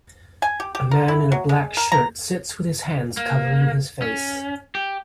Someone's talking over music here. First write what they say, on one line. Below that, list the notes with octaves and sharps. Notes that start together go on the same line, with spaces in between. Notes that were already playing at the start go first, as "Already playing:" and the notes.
A man in a black shirt sits with his hands covering his face.
G#5
G4
G4
A#4
E4
F#3
G#3
A#4
A#5
A#3
C#4
G4